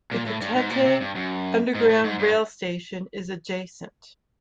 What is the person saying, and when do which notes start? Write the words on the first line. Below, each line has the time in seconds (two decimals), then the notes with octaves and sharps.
The Catete underground rail station is adjacent.
0.11 A#2
0.26 A2
0.41 G2
0.56 G#2
0.70 A#2
0.86 C3
1.01 G2
1.15 F#2
1.75 G#2
1.90 A2
2.04 G#2
2.19 G2